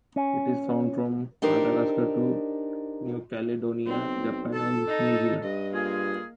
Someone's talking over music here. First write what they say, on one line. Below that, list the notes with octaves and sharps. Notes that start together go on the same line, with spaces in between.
It is found from Madagascar to New Caledonia, Japan and New Zealand.
C#4
D4 D#4 G4 A#4 C5
B1 C4
A4 A5
D#4
G2 D#5
A#3 F4 G#4